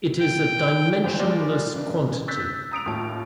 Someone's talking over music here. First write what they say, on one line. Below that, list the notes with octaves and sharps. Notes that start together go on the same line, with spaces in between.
It is a dimensionless quantity.
G5
G1 C5 F7
G3 G#3 F4 D5
C#3 E3 D4
E6 F#6 G6 A6 B6
A#5 D#6 D7 F7
D#2 A2 C#4 F4 A5 D7